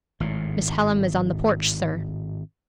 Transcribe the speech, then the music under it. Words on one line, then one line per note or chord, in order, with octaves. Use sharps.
'Miss Hallam is on the porch, sir.'
G#1 A2